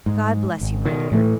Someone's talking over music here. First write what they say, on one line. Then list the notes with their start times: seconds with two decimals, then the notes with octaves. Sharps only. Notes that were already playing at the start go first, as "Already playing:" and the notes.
God bless you, my dear!
0.06 G#2
0.61 G#1
0.85 B2 D#3
1.12 A2 E3 A3